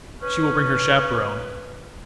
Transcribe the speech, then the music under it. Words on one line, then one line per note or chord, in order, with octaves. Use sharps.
"She will bring her chaperone."
C#4 B4